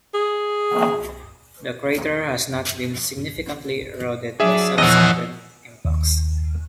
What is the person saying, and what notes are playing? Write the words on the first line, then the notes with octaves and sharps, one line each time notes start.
The crater has not been significantly eroded by subsequent impacts.
G#4
F#3 D4 G#4 D5 E5
E2 E3 F3 C#5 D#5 F#5 E6 F#6
D#2